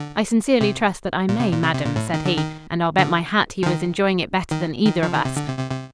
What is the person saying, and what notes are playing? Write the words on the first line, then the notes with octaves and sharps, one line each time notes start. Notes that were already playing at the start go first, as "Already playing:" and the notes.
'I sincerely trust that I may, madam,' said he, and I'll bet my hat he was enjoying it better than either of us.
Already playing: D3
C3
A#2
C3
A#2
C3
C3
A#2
A2
D#3
D3
D#3
D3
F3
D#3
D#3
D#3
F3
D#3
C3
D3
C3
C3
C3